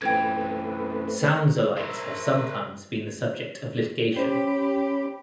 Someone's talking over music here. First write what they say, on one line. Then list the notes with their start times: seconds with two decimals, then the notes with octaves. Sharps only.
Sounds-alikes have sometimes been the subject of litigation.
0.02 F#2 E3 A3 C4 B4 G5 G#6
1.77 A#4 C5 E5 A#5
4.16 C#4 G4 C5 B5